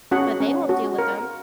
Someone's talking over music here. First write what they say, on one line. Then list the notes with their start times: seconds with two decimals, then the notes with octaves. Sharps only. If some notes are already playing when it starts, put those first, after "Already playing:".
But they won't deal with them.
0.11 C#4 F#4 F#5
0.40 C#4
0.69 F#4
0.98 A#4